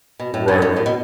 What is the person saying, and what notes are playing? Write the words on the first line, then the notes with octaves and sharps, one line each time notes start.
Right, right.
B2
A2
G2
G2
A2
B2